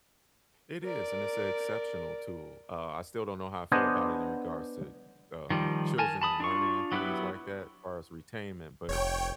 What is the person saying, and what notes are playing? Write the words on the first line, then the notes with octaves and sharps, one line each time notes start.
It is, and it's a exceptional tool. Uh, I still don't know how I feel about it in regards to, um, children and learning and things like that as far as retainment, but
A#4 D5
B3 D4 C5 D#5 G#5
D#3 F3 G3
A#4 G#5 A5
A5 B5 D#6
D4 F4 C#6
F#3 B3 E4 G4 B4
F1 C#5 G5